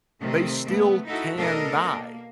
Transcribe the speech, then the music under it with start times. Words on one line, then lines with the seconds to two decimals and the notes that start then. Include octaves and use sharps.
they still can die.
0.21 C3 D#3 A3 C4
0.63 A3 B3
1.07 D#4 E4 F#4 A4
1.35 B2 A3 D4 A4 A#4 D#5
1.89 A#3